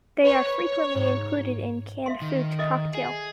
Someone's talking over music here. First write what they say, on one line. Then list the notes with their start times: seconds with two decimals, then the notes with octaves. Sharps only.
They are frequently included in canned fruit cocktail.
0.23 B4 C#5
0.62 C#5
0.95 G#2
2.06 E5 F5 C6
2.22 D#3
2.59 A4 D#5 E5
2.95 G#4